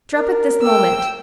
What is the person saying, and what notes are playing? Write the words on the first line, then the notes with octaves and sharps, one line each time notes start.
Drop it this moment!
A#4
G5 E6